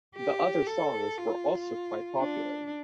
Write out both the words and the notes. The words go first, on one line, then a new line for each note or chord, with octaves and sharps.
The other songs were also quite popular.
G4
A4
F4
D4